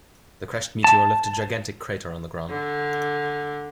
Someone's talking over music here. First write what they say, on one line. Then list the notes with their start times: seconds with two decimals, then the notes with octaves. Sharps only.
The crashed meteor left a gigantic crater on the ground.
0.84 A5
2.49 D3